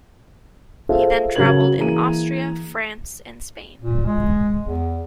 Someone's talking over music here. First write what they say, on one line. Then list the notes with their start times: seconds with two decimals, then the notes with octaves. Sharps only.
He then travelled in Austria, France and Spain.
0.89 F4 G#4 A4 C5 E5 F5
1.35 C#3 F#3 C#4 A#4 G#6 F#7
1.77 E3 A#3 G#4 A#5 D#7
3.82 A#2
4.06 G#3
4.64 E2